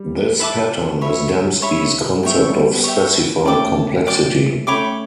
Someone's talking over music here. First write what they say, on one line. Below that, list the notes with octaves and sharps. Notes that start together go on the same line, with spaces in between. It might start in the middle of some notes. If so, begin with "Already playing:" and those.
This pattern is Dembski's concept of specified complexity.
Already playing: G3
B4 E5 A5 D6
C#5 E5 B5
C#5 E5 B5
B3 C#5 E5 G5
C#4
G3 B3
C#5 E5 G5
A3 C#4 D5 G5 D6
D5 G5 D6
A3 C#4 C#5 G5 B5 D6